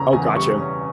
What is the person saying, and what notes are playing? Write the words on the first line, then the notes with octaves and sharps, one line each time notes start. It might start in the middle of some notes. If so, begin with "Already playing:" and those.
Oh, gotcha.
Already playing: E2 C#3 C#4 A#5
E2 G#5
G3 C#6
C#4